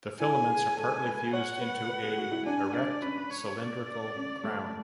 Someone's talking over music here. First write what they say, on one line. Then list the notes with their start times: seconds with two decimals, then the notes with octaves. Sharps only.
The filaments are partially fused into a, erect, cylindrical "crown".
0.20 E4 G#5
0.48 G#4
0.77 A4
1.04 B4
1.33 C#5 F#5
1.61 B4
1.89 B4
2.03 G#4
2.18 F#4
2.32 E4
2.45 D4 G#5
2.74 D4 D5
3.02 C#4 B4
3.30 C#5
3.58 D5
4.16 C#4
4.44 A3